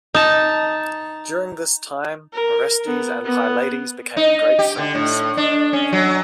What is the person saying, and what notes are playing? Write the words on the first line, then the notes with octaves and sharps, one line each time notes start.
During this time, Orestes and Pylades became great friends.
D#4 A5
A#4
B3
B3
D#4
G4
D3
A2
D4
C#4
F#3